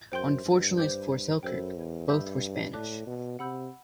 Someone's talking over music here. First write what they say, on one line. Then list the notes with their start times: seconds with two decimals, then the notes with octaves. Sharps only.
Unfortunately for Selkirk, both were Spanish.
0.12 F#2 C5 G5 C6 G6
0.45 G2
0.77 C5 G5 D6 G6
1.43 F#2 A4 C5 G5
1.76 E2
2.09 G2 E5 B5 E6 G6
2.73 A2 D5 A5 D6 F#6
3.07 B2
3.39 C3 F#5 B5 E6 G6